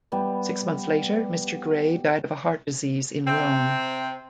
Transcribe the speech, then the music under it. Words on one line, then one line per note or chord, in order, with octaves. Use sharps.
Six months later, Mr. Gray died of a heart disease in Rome.
G3 B3
C3 C4